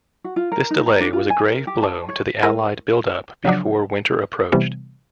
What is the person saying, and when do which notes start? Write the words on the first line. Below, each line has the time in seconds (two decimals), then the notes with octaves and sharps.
This delay was a grave blow to the Allied build-up before winter approached.
0.24 F#4
0.36 F4
0.52 A#4
0.70 D#4
0.86 A#5
1.00 D4
1.13 F4
1.30 G#5
1.43 A#4
1.67 G4
1.82 A5
2.09 C#5
2.43 G#3 E4 A#4 D#7
3.45 C#3 F3 F#3 D4
4.52 C3 E3 G3 B3